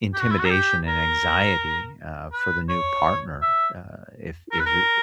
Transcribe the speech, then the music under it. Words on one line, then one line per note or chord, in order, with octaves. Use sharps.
intimidation and anxiety, uh, for the new partner, uh, if if you're
G4
F#4
E4
F#4
A#4
G4
A#4
B4
C#5
E5
A#4
B4
A#4